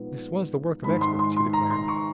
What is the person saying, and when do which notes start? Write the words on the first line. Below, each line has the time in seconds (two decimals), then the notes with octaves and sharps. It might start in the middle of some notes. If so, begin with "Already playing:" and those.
"This was the work of experts," he declared.
Already playing: A#2 F3 G#3 B3 D#4
0.84 G#2 D#3 G#3 B5
1.01 C6
1.19 C6
1.36 C6
1.53 A#5
1.71 C6
1.88 C#6